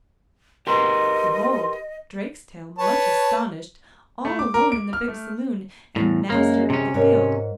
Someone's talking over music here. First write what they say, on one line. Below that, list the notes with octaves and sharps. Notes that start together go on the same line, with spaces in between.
Behold Drakestail much astonished, all alone in the big saloon and master of the field.
G4 A#4 B4 D#5 C6
B4 C#5 A5
A3
D6
A#4
D7
F6
A3
E2 A2
F#2 C#3 G#3 A#3
C3 C#4
G#2 A#4 C#5